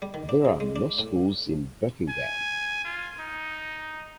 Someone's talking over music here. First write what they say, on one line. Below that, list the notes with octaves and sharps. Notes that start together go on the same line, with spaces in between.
There are no schools in Buckingham.
G3
D#3
D4
C#3
G#3
D4
A2
G#5
F4
D#4